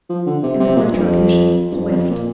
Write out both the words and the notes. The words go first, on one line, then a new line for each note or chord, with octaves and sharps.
And the retribution was swift.
F3
D3
C3
C3
A#2
G2
F2
G2
F2
F2
A#2